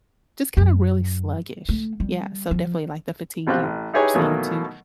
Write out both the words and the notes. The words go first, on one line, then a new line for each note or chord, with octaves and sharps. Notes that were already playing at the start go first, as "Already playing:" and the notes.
just kinda really sluggish. Yeah, so definitely, like, the fatigue you saying too.
F#2
A3
G3
F3
A#1 B2 C4 F4 G4 F#6
A1
D#4 E4 G4 G#4 B4 C#5
B2 D#3 E3 F#3 A3 A#3